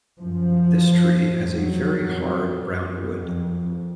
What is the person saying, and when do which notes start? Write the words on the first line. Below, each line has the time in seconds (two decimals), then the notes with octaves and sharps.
This tree has a very hard brown wood.
0.20 F#2 F3
0.82 F#2
1.42 F2 F#3
2.02 F2
2.62 F#2
3.22 F2